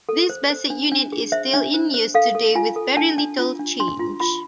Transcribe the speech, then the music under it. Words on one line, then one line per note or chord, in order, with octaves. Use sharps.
This basic unit is still in use today with very little change.
A4
C5
C5
D4
D4
G#4
C5 E5
D4
C5
C5
A4 F5
A4
F4 G#5
A4
D4 A5
D4
F4
D4
D4 C6
F4
F4 B5